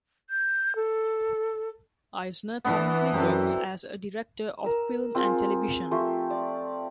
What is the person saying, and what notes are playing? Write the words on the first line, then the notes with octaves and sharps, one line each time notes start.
Eisner currently works as a director of film and television.
G6
A4
E3 B3 D4
F#2 C4 F#4 A4 A#5
A#4 E6
C4 F4 G#4
F3 A3 G4 C6
D5